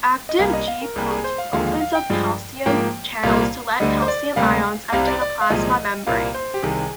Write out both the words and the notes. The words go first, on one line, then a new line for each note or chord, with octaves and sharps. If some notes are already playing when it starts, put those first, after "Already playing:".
Active G-protein open up calcium channels to let calcium ions enter the plasma membrane.
D#5
C2 C3 G3 A#3 F5
D#5
F5
A#4
C2 C3 G3 A#3 G#4
G#4
C5
F5
D#2 D3 F3 G#3 F5
F5
F5
G5
G2 F3 G#3
G#2 F3 A#3 G5
C2 A#2 G3 A#3 F5
D2 D3 G3 D#5
C5
D5
D2 C3 G3 A#3 F5
C2 C3 G3 F5
D5
D5
F5
C2 A#2 F3 G#3 D#5
C2 A#2 G3 A#3 F5
C5
G4
C2 C3 D#3 G#4